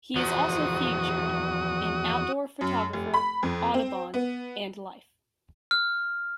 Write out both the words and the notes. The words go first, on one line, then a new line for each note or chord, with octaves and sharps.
He is also featured in "Outdoor Photographer", "Audubon", and "Life".
E2 F3 F#4 D#6
F#2
F1
B5
F2
C4
B3
F6